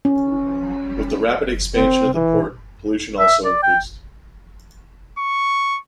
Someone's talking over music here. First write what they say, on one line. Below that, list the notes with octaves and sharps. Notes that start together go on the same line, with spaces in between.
With the rapid expansion of the port pollution also increased.
C#4
C4
E3
E5
D5
G5
C#6